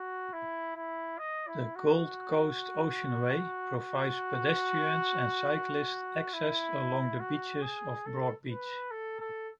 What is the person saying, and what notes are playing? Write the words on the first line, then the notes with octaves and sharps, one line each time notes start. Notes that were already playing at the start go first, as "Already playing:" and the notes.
The Gold Coast Oceanway provides pedestrians and cyclists access along the beaches of Broadbeach.
Already playing: F#4
E4
E4
D#5
E4
F#4
F#4
E4
F#4
G#4
A4
B4
A4
A4